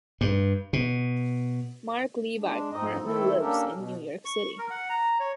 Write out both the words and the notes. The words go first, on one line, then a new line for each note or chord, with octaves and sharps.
Marc Levy currently lives in New York City.
G2
B2
G#3 D4
F2 G#2 C4 D#4 D#5
D#3 A3 C4 E4 A4
A#3 C#4 D4 G4 A4 A#4
B2
C#6
A#4
F#5
A#5
C#5